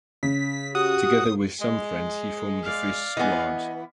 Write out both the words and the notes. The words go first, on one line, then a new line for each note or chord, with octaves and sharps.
Together with some friends he formed the first squad.
C#3 B6
F#4 G4 D#6
G#3
D5 F5
E3 B3 D#5 G#5